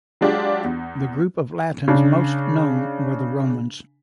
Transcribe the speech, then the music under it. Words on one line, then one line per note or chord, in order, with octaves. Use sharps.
The group of Latins most known were the Romans.
F#3 G#3 D4 F4 G4
E2
C#3 D4